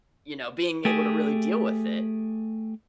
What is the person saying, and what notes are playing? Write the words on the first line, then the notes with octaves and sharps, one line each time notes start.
you know, being able to really deal with it?
A3 G4 G#4